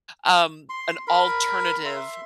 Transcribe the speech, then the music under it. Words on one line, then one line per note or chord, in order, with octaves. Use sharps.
um, an alternative
C6
A#4 B5
E5 C6